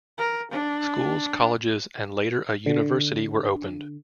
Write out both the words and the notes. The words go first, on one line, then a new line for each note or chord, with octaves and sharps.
Schools, colleges and later a university were opened.
A#4
D4
D3